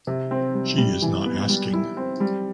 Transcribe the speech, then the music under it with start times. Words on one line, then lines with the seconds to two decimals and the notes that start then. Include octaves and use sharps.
She is not asking.
0.07 C3
0.31 C4
0.55 G3
0.78 G3
1.02 E3
1.26 B3
1.49 G3
1.73 E4
1.97 C4
2.20 G3